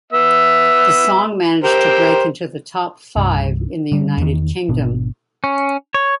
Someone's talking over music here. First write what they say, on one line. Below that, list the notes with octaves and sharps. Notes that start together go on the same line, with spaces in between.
The song managed to break into the top five in the United Kingdom.
B3 E5
G4 A#4 C5
C2 G2
D3 G3
E2 D#3
G#1 B2 B3 D4
C#4
C#5